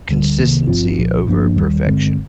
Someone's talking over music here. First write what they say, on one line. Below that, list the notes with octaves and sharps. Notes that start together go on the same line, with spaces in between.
consistency over perfection.
D2 D3 G3
C2 C3 D#3 A#3
G#1 G2 F3 C4 F4
C2 A#2 F3
G1 G2 F3 A#3 D4
D#2 D#3 G3
G1 G2 D3 G#3 C4